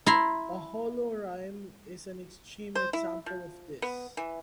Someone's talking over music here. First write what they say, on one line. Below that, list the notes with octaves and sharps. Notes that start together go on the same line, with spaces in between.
A holorime is an extreme example of this.
E4 A#5 C6
C5
E4
F3
B3
E3